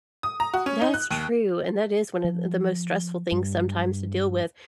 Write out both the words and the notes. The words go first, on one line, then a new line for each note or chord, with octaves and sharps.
That's true, and that is one of the the most stressful things sometimes to deal with.
D#6
A#5
F#4
C#4
D#4
F#6
D#2
F3
G2